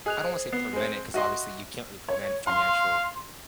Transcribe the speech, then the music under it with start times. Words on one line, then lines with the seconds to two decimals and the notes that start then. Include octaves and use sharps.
I don't wanna say prevent it 'cause, obviously, you can't really prevent financial,
0.06 G#4 D#5 F#6 F7
0.24 C5
0.53 B3 C7
0.73 G#3 C4
1.14 F#4 D#5 E5 C6 F#6 A#6
2.08 C#5
2.47 F5 C6